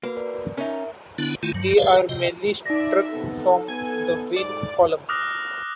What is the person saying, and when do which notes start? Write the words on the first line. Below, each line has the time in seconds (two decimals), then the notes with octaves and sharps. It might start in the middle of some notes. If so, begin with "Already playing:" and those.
They are merely struck from the win column.
0.03 A#3 F#4 B4
0.16 A#4 D5
0.57 C#4 D#4 A#4 E5
1.18 D3 B3 D4 E4
1.43 D#3 A3 E4 F4
1.55 G2 F#3
1.77 G4 G#4 B4 C#5 D5 F5
2.09 C3 D#5 G5
2.66 D#4 D5 E5 A#6
3.13 C3 B3 A4
3.68 B3 G#5
4.36 G#2 D5
5.09 D6 D#6 F6 F#6 A#6